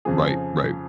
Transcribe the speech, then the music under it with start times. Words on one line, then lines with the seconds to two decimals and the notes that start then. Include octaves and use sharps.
Right, right.
0.05 F2 C#3 F3 G#4